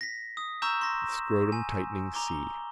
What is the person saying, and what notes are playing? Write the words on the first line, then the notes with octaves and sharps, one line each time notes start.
The scrotumtightening sea.
A#6 B6
D#6
A#5 C#6 E6 G6 E7
C6 A#6
G#5
A#5 D6 G7